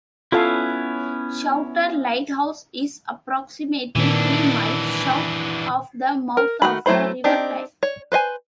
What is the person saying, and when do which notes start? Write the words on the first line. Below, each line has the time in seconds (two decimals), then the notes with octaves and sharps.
Souter Lighthouse is approximately three miles south of the mouth of the River Tyne.
0.32 B3 C#4 E4 F4 A4 F5
3.95 A#2 D#3 E3 C4 D4
6.37 A#4
6.62 D#3 F#3 A3 F#4 B5
6.86 F#3 A3 E4 C5 B5
7.24 C4 D4 D#4 G4
7.83 C#5
8.12 B4 C5 D#5 G#5